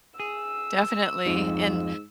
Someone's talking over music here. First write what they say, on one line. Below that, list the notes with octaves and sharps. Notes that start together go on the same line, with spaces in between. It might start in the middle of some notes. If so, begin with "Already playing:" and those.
Definitely, and
G#4 E6
F2 G#2